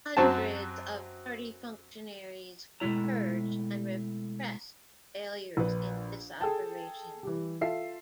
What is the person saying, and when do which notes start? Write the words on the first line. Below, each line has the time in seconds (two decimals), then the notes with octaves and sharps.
Hundreds of party functionaries were purged and repressed for failures in this operation.
0.17 F#2 F#3 C4 F#4 A5
2.80 B2 G#3 A3 E4 A#5
5.57 A#1 B4
6.41 G#4 A4 G5 A5
7.23 E3 G3
7.61 F4 A4 E5 C7